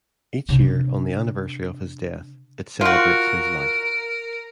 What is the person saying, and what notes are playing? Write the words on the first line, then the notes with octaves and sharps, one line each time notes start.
Each year on the anniversary of his death, it celebrates his life.
C3 D4
F4 F#4 A#4